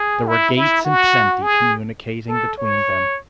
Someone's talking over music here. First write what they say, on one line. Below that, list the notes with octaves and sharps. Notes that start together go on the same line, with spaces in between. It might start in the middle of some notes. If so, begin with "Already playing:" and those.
There were gates in plenty communicating between them.
Already playing: G#4
E4
E4
F#4
G#4
A4
C#5